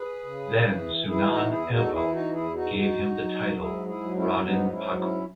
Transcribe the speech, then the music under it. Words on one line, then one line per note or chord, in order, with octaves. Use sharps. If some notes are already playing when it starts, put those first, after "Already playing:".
Then Sunan Ampel gave him the title Raden Paku.
Already playing: G#4 B4
C#3
E3
E3 E4 G#4
G#4
D#4 F#4
E2 E4 G#4
D#4 F#4
A4
E3 E4 G#4
D#4 F#4
E2 E4 G#4
D#4 F#4
F#3 D#4 F#4
F#3
G#2 E4 G#4
E4 G#4
F#3
C#4 E4
G#2 B3 D#4
D#4
C#4 E4
F#3
C#4 E4